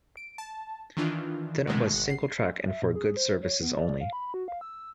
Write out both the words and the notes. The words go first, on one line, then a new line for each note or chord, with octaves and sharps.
Then it was single track and for goods services only.
D7
A5
D#3 E3 D4 F4
B2 D3 D#3 G#3 A3
G#1 F#5
C7
E5
A#2
G#4
C5
C#5
B3
D5
F5
B5
F#4
F5
E6